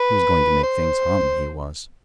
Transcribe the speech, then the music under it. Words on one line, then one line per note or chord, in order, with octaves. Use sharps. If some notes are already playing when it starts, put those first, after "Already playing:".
He was going to make things hum, he was.
Already playing: B4
C5